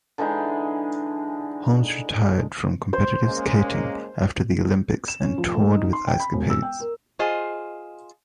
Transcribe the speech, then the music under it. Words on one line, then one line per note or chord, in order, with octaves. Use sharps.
Holmes retired from competitive skating after the Olympics and toured with Ice Capades.
D3 E3 G#3 D#4
C5
G#3 A#3 C#4
E7
C#4
F3
A3
D#4
C6
G5
B5
E1
E6
G5
A#4
F4 G#4 C5 D#5